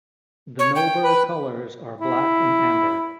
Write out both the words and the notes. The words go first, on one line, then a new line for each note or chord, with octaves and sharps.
The Nobber colours are black and amber.
C#5
G5
B4 B5
E4